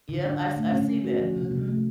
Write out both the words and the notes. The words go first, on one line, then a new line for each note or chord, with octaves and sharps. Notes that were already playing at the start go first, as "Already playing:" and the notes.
Yep, I've I've seen that, mhm.
D3
D4
D3
A3
C#4
C#4
F#4
F3
C3
C3
A3